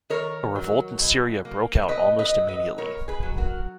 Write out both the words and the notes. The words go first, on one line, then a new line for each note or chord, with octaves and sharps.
A revolt in Syria broke out almost immediately.
D#3 A#4 C#5
F#3
B2
A#3
B2 B4 D#5
B4 D#5
F#3
B4 D#5
B2 A#4 C#5
G#4 B4
F#3
F#4 A#4